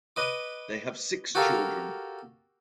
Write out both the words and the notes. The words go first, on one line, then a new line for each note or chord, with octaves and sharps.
They have six children.
B4 D#5 D6
F#4 G4 A4 A#4 F5